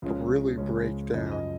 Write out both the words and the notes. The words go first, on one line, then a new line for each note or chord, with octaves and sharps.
but really break down
C#2 C#3 F3 G#3 C#4
C#2 C#3 F3 G#3 C#4
F#2 C#3 F3 D#5
D#5